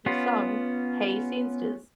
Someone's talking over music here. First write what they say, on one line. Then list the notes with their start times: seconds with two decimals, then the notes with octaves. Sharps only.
The song Hey Scenesters!
0.06 B3 C#4 F4